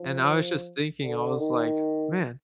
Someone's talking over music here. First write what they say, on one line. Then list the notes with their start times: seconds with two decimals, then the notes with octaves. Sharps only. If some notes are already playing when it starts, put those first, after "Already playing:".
and I was just thinking, I was like, "Man"
Already playing: F3
1.02 D3
1.39 D#3